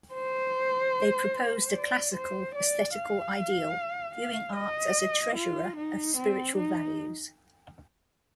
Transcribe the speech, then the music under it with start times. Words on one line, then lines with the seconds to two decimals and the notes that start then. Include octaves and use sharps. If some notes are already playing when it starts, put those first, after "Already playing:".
They proposed a classical aesthetical ideal, viewing art as a treasurer of spiritual values.
0.14 C5
1.75 D5
2.15 C5
2.55 D5
2.95 F5
4.15 F5
4.56 D#5
5.36 F4
5.76 D#4
6.16 C4
6.56 D#4